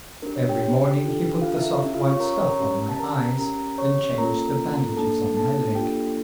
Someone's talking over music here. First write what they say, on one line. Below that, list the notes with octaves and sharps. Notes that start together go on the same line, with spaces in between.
Every morning he put the soft white stuff on my eyes, and changed the bandages on my leg.
D4 G4 A#4
C#5
G4 G5
G4 G5
D4 F4 A4
F4 F5
E4 E5
C#4 G4
F4 F5
C#5 C#6
A#4 A#5
C#5 C#6
A#4 A#5
C#4 G4
A5
A#4 A#5
C#4 G4 A#4 A#5
C#5 C#6
A#3 C#4 F4 A4 A#4 A#5
A#3 D4 A4 A5
A4 A5
A#3 D4 F4 G4 A4 G5